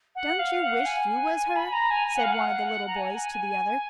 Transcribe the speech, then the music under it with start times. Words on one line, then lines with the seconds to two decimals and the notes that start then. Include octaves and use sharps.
'Don't you wish you was her?' said one of the little boys to the other.
0.15 F#5
0.39 F5
0.62 F#5
0.85 G#5
1.56 B5
1.72 A#5
1.90 G#5
2.07 G#5
2.16 F#5
2.24 F5
2.32 F#5
2.87 A#5
2.96 G#5